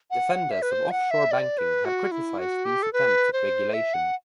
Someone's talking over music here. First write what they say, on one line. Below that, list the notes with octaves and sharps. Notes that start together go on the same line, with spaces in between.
Defenders of offshore banking have criticized these attempts at regulation.
F#5
E5
B4
C5
F#5
E5
D5
B4
F#4
E4
F#4
G4
A4
B4
C5
E5
F#5